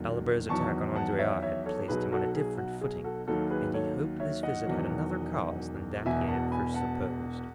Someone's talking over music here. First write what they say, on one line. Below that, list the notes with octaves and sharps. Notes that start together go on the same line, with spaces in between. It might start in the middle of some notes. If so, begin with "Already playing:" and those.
Albert's attack on Andrea had placed him on a different footing, and he hoped this visit had another cause than that he had at first supposed.
Already playing: E1 D#2 D#3 F#3
E2 D#3 F#3 A5 C#6
F#5 A5
C#5 E5
C#5 E5
A4 C#5
B1 B2 F#3 G#4 B4
F#4 A4
G#4
F#4
G#4
F#4 A4
D#2 D#3 F#3 F#4 A4
G#4 B4
A4 C#5
C#5 E5
D#5 F#5
E1 E2 D#3 F#3
E1 E2 B2 E5 G#5
F#5 A5
G#5 B5
F#5 A5